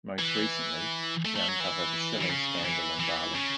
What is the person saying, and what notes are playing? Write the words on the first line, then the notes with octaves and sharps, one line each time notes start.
Most recently, he uncovered the shilling scandal in Bali.
E3
A3
A3
F#3
E3
E3
C#3
E3
E3
C#3